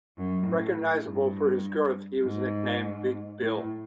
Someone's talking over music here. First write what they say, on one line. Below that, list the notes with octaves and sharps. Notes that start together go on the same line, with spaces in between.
Recognisable for his girth, he was nicknamed "Big Bill".
F#2
A2
G2
G#2
A2